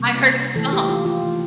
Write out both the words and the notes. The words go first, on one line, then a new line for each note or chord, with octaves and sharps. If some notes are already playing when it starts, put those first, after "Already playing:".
I heard the song.
Already playing: C3 G3 A#3
E3 A3 A4
G4
F4
F4
E3 A3